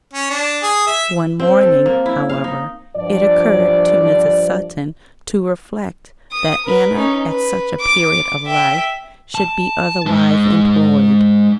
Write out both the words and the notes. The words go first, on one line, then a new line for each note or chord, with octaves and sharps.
One morning, however, it occurred to Mrs. Sutton to reflect that Anna, at such a period of life, should be otherwise employed.
C#4
D4
G#4
E5
C4
A4
A#3
E4
F5
D#4
G2 F3 D5
D#6
A#4 B4
C#4 D#4
B4
D6
E5 G5
A5
G#3 D#4